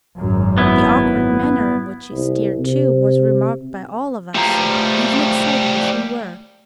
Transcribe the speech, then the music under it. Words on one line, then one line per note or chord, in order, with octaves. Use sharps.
The awkward manner in which she steered, too, was remarked by all of us, even excited as we were.
G#1 F#2
B3 E4
C2
C3
F3 G3 A3 A#5